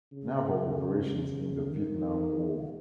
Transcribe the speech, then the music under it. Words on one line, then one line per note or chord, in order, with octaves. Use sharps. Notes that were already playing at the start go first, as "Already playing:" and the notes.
Naval operations in the Vietnam War.
C#3
D#3